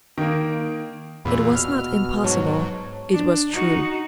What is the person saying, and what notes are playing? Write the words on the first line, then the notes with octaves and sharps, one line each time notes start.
It was not impossible--it was true.
D#3 A#3
E2 A#2 B5 E6
B2 F6
G#2 F#3 C#5 A5 C#6
D4
D#4 F#4